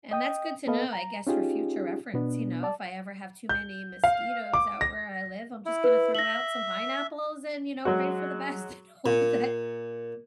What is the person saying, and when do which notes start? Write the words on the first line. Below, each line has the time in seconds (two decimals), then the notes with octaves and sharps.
And that's good to know, I guess, for future reference, you know, if I ever have too many mosquitoes out where I live, I'm just gonna throw out some pineapples, and, you know, pray for the best, and hope that
0.11 D#5 G5 D#6
0.67 B3 A4 B4 D#5 F5
0.93 A#5
1.27 C#4 D#4 F4 G4 G#4
2.14 B2 B3 D4
2.63 D5 A5
3.49 G6
4.04 F5
4.54 D6
4.81 A#6
5.66 E4
5.84 B4
6.15 E5 A#6 F#7
7.85 F#3 G#3 F#4
9.06 A#2